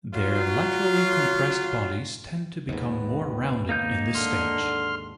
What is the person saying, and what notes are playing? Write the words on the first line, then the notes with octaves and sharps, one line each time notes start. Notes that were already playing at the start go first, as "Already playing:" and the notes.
Their laterally compressed bodies tend to become more rounded in this stage.
F#3 F4
D#2 G#2 B3
A#3 D#4 G6
D3 C6 F6